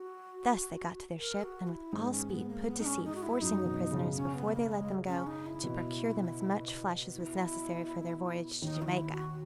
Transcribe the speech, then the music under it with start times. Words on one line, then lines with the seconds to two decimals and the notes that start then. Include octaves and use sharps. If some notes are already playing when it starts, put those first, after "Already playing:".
Thus they got to their ship, and with all speed put to sea, forcing the prisoners, before they let them go, to procure them as much flesh as was necessary for their voyage to Jamaica.
Already playing: F#4
1.18 A#4
1.43 F#4
1.68 E4
1.92 G#2 G#3 D#4
2.11 C#4
2.30 B3
2.49 A#3
2.67 B3
2.80 D#4
2.86 C#4
3.04 D#4
3.15 F#4
3.23 E4
3.41 F#2 F#3 D#4
3.65 B2
3.91 C#3
4.16 C#4
4.34 B3
4.48 G#3
4.53 A#3
4.71 G#3
5.08 C#4
5.27 D#4
5.46 E4
5.64 B2
7.13 E4
8.62 D#2 D#3 D#4
8.82 F#4
8.86 E4
9.11 F#4